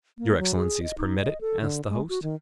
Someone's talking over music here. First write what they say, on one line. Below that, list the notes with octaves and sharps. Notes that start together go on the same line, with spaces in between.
"Your excellencies permit it?" asked the host.
A#3
F#3
G#4
D#5
D#4
D#5
A4
D3
G#3
F#4
D#3